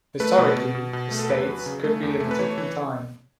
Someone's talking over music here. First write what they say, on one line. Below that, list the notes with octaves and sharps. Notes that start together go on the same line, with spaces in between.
Historically, estates could be limited in time.
A3 B4
B2
B2
B2
B2
A3
A4
E2 B4
F#3
C#3
A3
E2
A3
B4
E3 C#5
E3